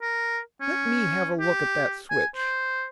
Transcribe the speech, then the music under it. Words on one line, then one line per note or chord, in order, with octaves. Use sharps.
"Let me have a look at that switch."
A#4
C#4
G4
G#5
C5